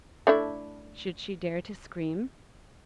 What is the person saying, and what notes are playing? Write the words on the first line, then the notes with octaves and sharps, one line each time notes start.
Should she dare to scream?
A3 D4 E4